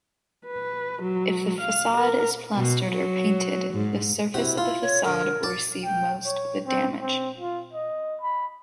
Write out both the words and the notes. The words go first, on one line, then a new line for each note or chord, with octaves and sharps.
If the facade is plastered or painted, the surface of the facade will receive most of the damage.
B4
F#3
F5
A#4
B2
F#3
G#2
C3 E4 F#4
F4
C#5
D3 A#4
D5 A5
G5
C#5
C4
C4
F4
D#5
B5